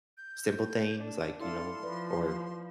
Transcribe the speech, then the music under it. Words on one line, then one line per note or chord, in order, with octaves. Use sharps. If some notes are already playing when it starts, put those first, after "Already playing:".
simple things, like you know or
G6
D4
E4 A4 D5 F5 C6
F3 B4 D5